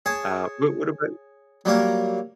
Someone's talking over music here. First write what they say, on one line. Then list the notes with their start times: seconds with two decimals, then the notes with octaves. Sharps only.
Uh, but what about
0.06 G#4 C#5 A5
1.65 F#3 G3 A#3 A#4